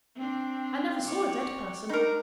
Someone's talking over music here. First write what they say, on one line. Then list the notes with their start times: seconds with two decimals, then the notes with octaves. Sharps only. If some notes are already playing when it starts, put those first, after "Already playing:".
'I never saw a dead person.
0.15 C4 D4
1.04 C4 C#5 D5
1.89 D4 D#4 A#4